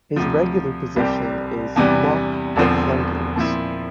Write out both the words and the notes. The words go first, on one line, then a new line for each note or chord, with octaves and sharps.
His regular position is lock or flankers.
D2 C3 F3
C2 C3 G3 C4 G4
E2 C3 E3 G3 D4
E1 E2 D3 F3 C4
A#2 F3 C4 E4